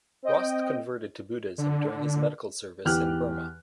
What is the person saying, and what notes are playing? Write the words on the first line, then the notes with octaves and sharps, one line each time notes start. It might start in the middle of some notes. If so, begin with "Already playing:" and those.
Rost converted to Buddhism during his medical service in Burma.
C4 D#5 G5
D3
E2 E3 G4 F6 F#6